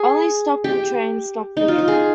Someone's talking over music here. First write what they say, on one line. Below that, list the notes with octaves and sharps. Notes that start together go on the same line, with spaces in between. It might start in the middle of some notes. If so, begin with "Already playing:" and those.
Only stopping trains stop here.
Already playing: G#4
G4
D#4
F4
F4
G#4